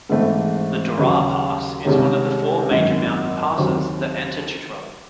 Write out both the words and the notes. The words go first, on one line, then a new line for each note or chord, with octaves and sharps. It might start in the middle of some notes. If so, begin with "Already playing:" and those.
The Dorah Pass is one of the four major mountain passes that enter Chitral.
G#2 E3 A3 C4
D#2 C#3 F#3
C2 C3 D#3 G#3 C#4
G#1 F#2 D#3
D#2 D#3 F#3 C4